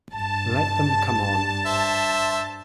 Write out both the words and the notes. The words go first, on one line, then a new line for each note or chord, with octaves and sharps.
Let them come on.
G2 A5
C5 E5